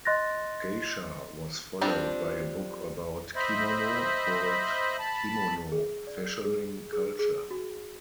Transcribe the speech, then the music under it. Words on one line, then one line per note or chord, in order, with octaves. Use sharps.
Geisha was followed by a book about kimono, called "Kimono: Fashioning Culture".
D#5 C6 F#6 A6 A#6
F3 G3 C4 D4 G4
C5 D#5 E5 B5
A5 B5
G#4
D5
G#4
G#4
G#4
F#4